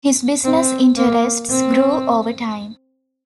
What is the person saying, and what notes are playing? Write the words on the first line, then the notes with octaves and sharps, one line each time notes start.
His business interests grew over time.
C4
A#3
C4